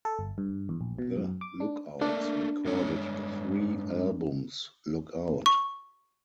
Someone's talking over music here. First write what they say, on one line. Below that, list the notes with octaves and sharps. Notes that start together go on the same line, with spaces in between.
The Lookouts recorded three albums, Lookout!
A4
G1
G2
E2
A#1
B2
F#2
D6
D4
A3 A#3 D4
G2 G#3 C#5
C#6